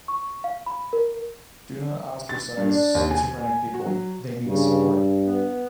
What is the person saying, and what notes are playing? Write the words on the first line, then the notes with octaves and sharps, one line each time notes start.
Do not ostracize schizophrenic people, they need support.
C#6
F5
B5
A#4
A6
G2
D4
D#2
G#5
F#4
F#3
G2 C#3
B3